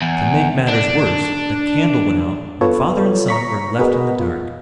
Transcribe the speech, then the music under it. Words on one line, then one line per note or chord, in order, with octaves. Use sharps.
To make matters worse, the candle went out and father and son were left in the dark.
E2
D4
B3 F4 A4 B4 C#5
A#5 C#6 B6
B3 F#4 G#4 A#4 B4 D#5
F4